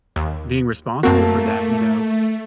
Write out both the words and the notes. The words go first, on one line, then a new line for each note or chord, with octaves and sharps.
being responsible for that, you know.
D#2
F#2 A3 A#3 C4 F#4 A5